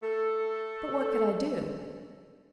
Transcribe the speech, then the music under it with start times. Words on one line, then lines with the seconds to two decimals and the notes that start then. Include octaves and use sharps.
But what could I do?
0.03 A3 A4